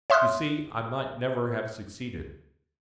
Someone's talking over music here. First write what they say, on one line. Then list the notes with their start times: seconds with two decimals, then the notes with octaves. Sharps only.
You see, I might never have succeeded.
0.10 C#5 E5 C6 D#6 F6 F#6